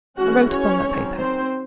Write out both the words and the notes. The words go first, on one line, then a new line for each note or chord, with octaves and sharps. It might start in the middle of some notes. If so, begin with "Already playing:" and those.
"And wrote upon that paper."
E3 G#3 C#4 F#4 F#5
C#4 C#5
D#3 F#3 C4
C4 C5